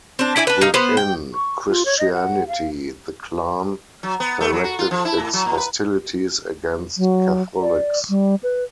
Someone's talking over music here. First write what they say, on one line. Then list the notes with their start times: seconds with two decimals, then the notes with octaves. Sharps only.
Within Christianity the Klan directed its hostilities against Catholics.
0.19 C4 D4
0.36 D4 E4 D5 G#5
0.47 D4 B4
0.61 D#4 F5
0.74 B3 B4 C5
0.97 G5
1.34 C#6
1.68 F4
1.85 C#5
1.99 D#5
2.14 F#5
2.48 F5
4.03 F#3
4.20 B3
4.41 A3
4.52 F#3
4.64 F#4
4.79 F4
4.91 F3
5.05 E4
5.20 A2
5.33 F#3
5.46 A#2
5.57 B4
6.97 F#3
7.62 D5
8.09 G3
8.43 B4